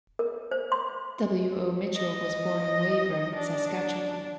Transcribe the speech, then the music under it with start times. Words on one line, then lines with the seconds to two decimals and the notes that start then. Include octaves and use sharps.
W. O. Mitchell was born in Weyburn, Saskatchewan.
0.19 A#4
0.51 C5
0.72 C6
1.96 D#5
3.36 D4